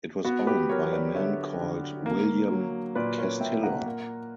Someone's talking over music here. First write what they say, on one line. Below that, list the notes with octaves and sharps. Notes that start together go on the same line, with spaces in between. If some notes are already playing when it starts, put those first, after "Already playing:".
It was owned by a man called William Castillo.
B3 F#4
G4 B4
F#3 A#4 C#5
B4 D5
D3 C#5 E5
D3
A#3
F#3
A#2 B4 D5
A#4 C#5
A#2 E5 G5
F#5 A#5
A#3